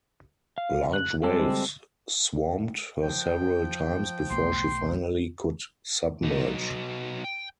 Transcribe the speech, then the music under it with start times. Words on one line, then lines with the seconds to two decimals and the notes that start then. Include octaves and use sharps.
Large waves swamped her several times before she finally could submerge.
0.58 F5
0.93 F#6
1.23 G3 G#3 C4 G4 A4
3.03 F3 G5
4.31 B1 A3 B3 C6
6.23 F#3 D#4
7.24 G5